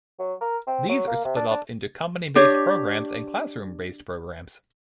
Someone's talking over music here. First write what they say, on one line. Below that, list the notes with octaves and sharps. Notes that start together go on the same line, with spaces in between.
These are split up into company-based programmes and classroom-based programmes.
F#3
A#4
C4
F#3
A#3
C3
D4
D4
D4 G4 C#5